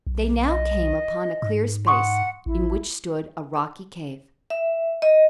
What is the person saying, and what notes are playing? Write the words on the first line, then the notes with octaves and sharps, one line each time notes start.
They now came upon a clear space in which stood a rocky cave.
B1
D#5
G#2
F#5 C6 C#6 D#6
A1 E4
E5
D#5